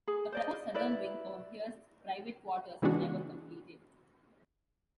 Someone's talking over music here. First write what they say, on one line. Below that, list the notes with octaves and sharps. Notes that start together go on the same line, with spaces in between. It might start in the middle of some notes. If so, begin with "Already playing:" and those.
A proposed southern wing for Hearst's private quarters was never completed.
G#4
C5 D5 D#5
E4 B4 D5
C#3 E3 G#3 B3 D4 F#4